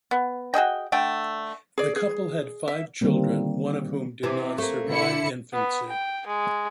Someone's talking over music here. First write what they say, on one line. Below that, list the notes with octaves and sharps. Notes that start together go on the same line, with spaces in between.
The couple had five children, one of whom did not survive infancy.
B3
F#4 G#4 D#5 G5
D3 A3 G5
G#4 D5
G#4
E5
D3 D#3 G3 A#3 C4
C3 E3
A3 A#3
D3 E4 C#7
B3
G5
G#3